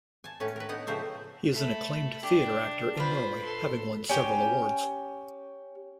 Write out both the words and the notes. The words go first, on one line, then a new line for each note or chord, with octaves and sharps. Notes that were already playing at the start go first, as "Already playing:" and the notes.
He is an acclaimed theatre actor in Norway, having won several awards.
G#5 A5
A2 C#4 B4
A#4 B4
B3 D#4 F#5
A2 C#3 F3 C5 E5
A3 B5
D4 G4
F4 B4 C5 B5
A4 C6
C#4 G4 A#5